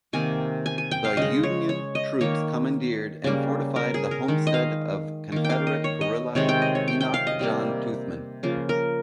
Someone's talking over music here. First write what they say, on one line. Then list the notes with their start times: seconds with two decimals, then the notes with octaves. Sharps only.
The Union troops commandeered and fortified the homestead of Confederate guerrilla Enoch John Toothman.
0.13 C3 D#3 A#3 G#5
0.66 G#5
0.78 G#5
0.91 G5
1.05 F5
1.17 C#3 G#3 D#5
1.43 C#5
1.69 C#5
1.95 D#5
2.21 D#3 A#3 C#5
3.24 C#3 G3 A#3
3.76 A#4
3.94 G#4
4.11 A#4
4.28 D#3 G#3
4.47 D#5
4.54 F5
5.32 D#3 A#3
5.44 G5
5.50 F5
5.67 D#5
5.84 C#5
6.01 D#5
6.35 C3 D#3 G#3 C#5
6.49 G5
6.62 D#5
6.75 C#5
6.88 G5
7.01 G5
7.14 F5
7.27 D#5
7.39 C3 G3 A#3
8.43 C#3 F3 A#3
8.69 A#4